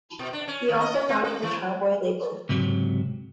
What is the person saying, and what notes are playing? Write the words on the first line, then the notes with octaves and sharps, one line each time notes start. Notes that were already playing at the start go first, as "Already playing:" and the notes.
He also founded the Cowboy label.
B2
D4
C#4
D#3
D#5
C#4
C4
A3
E3
C#2 G#2 C3 F#3